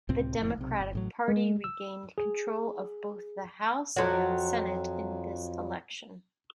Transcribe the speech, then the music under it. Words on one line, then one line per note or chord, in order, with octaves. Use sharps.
The Democratic Party regained control of both the House and Senate in this election.
C#2 A2 C3 C4
F#1 F2 A2
B1 C3
G1
A1 A2 F#3
G#3
E6
G#4
F2 F#3